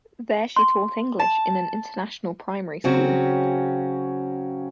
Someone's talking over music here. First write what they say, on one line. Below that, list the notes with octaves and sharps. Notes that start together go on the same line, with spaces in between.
There she taught English in an international primary school.
C6
A5
C#3 F#3 C4 C#4 F#4